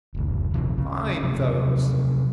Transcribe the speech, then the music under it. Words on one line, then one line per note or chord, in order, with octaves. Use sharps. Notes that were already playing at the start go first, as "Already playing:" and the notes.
Fine fellows!'
F#1 D2
A#1 D#2 C3 F3
C#3
C3 F3 F#3 A3